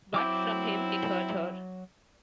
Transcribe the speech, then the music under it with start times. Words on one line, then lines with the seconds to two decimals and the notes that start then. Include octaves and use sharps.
But from him it hurt her.
0.14 F#3 C4 E4 D6 G6